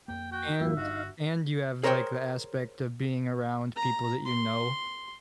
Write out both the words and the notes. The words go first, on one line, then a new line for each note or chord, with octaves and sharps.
and and you have, like, the aspect of being around people that you know,
F2 A#3 G5
F#4 G5
F2 G#2 F#3 A#3 F4 E5
G1 G2 D#4 F#4 F5
G#4 A#4 C5 C#5 F#5 G5
A#5
C6